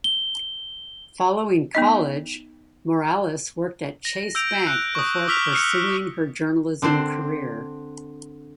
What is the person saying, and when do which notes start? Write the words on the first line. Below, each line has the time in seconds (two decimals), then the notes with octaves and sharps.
Following college, Morales worked at Chase Bank before pursuing her journalism career.
0.04 G7
1.75 B3 D#4 D#5
4.05 A#6
4.35 E6 G6 D7 F7
4.67 F#6
4.95 C#6 D#6
5.28 D6 E6 F6 B6 F7
5.52 D#6 F6 C#7
6.82 D3 C4 D4 C5